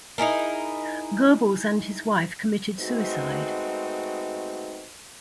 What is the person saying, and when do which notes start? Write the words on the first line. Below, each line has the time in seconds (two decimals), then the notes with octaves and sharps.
Goebbels and his wife committed suicide.
0.18 D#4 E4 G#4 A#4
2.78 G#3 A3 B3 C4 D#4 F#4